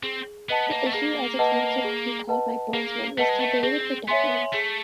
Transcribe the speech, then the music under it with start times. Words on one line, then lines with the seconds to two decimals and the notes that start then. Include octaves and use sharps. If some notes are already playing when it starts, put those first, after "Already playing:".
"The issue", as it came to be called by Bonesmen, was debated for decades.
0.03 C4 G#4
0.49 B3 B4 D#5 F#5 A5
0.72 A#3
0.86 A3
0.93 A#3 G#4
1.39 B4 D#5 F#5 A5
1.84 G#4
2.29 B4 D#5 F#5 A5
2.73 A#3 G#4
3.18 A3 B4 D#5 F#5 A5
3.29 G#3
3.40 A3
3.63 C4 G#4
4.08 B3 C#5 E5 G#5 C6
4.53 A3 G#4